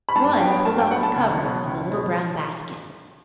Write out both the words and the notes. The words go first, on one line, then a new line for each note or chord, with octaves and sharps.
One pulled off the cover of the little brown basket.
B5
G2 A5
F#3 B3 G5
G2 A5
G5
F#3 B3 F#5
A5
C#2
B2 F#3
C#2
B2 F#3